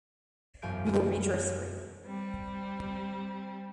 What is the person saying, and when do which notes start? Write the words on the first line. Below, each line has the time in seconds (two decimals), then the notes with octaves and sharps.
We will reach our spring.
0.62 E1 F#2 F5 G#5 G6 D7
2.05 G3 C4